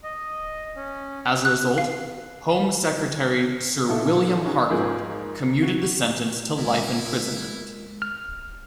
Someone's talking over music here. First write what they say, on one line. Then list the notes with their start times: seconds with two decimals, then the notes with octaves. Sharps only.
As a result, Home Secretary Sir William Harcourt commuted the sentence to life imprisonment.
0.03 D#5
0.76 C#4
1.45 F#6
1.78 F5
3.88 A#2 D#4 E4 F#4 A4
4.45 C#4 D#4 F#4 G#4
4.70 G#2 F3 A#3 G#4 A#4 G6
5.63 F#4
6.58 G#3 E4 F4 A#4
8.02 F6